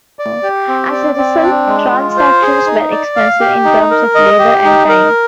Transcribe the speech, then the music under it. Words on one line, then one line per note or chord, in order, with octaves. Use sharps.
As a result, transactions were expensive in terms of labour and time.
D5
G4
C4
D5
C4
D4
G#3
F4
C5
G#4
D#4
D5
F5
G4
D#4
A#4
D#5
G4
D#4
A#4